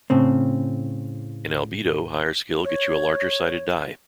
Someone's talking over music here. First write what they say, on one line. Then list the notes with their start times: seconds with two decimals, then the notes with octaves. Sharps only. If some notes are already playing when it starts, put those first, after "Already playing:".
In Albedo, higher skill gets you a larger sided die.
0.10 A2 C#3 C4
2.64 C#5